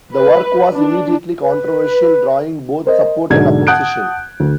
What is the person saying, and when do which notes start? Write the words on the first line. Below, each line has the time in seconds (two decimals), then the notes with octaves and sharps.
The work was immediately controversial, drawing both support and opposition.
0.13 B4
0.73 D4
1.43 B4
2.85 A#4 C5 D#5
3.30 B1 G#2 D3 D4 G#6
3.67 F#5 A5 D#6 F#6 G6 D7
4.40 D2